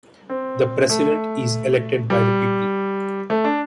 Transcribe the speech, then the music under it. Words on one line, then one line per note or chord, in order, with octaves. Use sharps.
The president is elected by the people.
C4
A3
G3
A3
D4